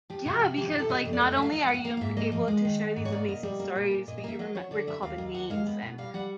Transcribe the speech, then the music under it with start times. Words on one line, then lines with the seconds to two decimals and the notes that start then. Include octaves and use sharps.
Yeah, because, like, not only are you ab able to share these amazing stories, but you reme recall the names and
0.10 F3 G4
0.26 C3 F#4
0.41 F3 F#4
0.57 E3 G4
0.68 G4
0.73 C3
0.79 A4
0.89 C3 D#5
1.05 F2
1.13 D5
1.21 A3 D#5
1.32 E5
1.37 F#3
1.42 F5
1.52 F#3 D#5
1.64 F5
1.69 A2
1.74 F#5
1.85 A#3 F5
1.97 F5
2.01 G#2 E5
2.17 A#3 D#5
2.32 F3 D#5
2.48 G#3
2.65 D#3
2.80 B3
2.96 G#2
3.05 C#5
3.11 A#3 D5
3.28 B2 D#5
3.43 G3
3.59 A#3
3.75 A#2
3.91 A#2
4.08 A#2 D#5
4.18 D#5
4.24 A#3 E5
4.39 F#3 D#5
4.55 F#3 C#5
4.71 D3 D5
4.87 D#2 E5
5.02 D#2 F5
5.18 D#2
5.34 D#2 F#5
5.50 G#3 F5
5.67 B3
5.82 B2
5.98 G3 F5
6.14 G3 F#5